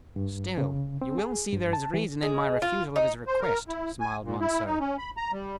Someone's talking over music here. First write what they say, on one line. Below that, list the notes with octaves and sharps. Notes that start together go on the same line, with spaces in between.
"Still you will see there is reason in my refusal of his request," smiled Monceux.
G2
C#3
C4
G#4
G2
A5
E3
G#3
F4
D#4
C5
A#4
E4
G#5
A#2
E4
D#4
C#4
B5
A#5
G3